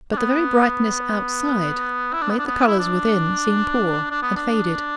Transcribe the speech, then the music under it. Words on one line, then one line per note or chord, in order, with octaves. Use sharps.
But the very brightness outside made the colours within seem poor and faded.
D4
B3
E4
D4
B3
D4
B3
E4
D4
D4
B3
D4